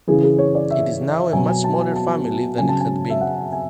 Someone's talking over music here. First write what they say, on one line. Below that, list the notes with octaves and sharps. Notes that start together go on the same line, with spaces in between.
It is now a much smaller family than it had been.
C#3 E3 G#4
G#4
C#5
D5
E5
B2 F#3 G#5
G#5
A5
G#5
A5
C#3 F#3 G#5
A5
G#5
E5
F#5
G#5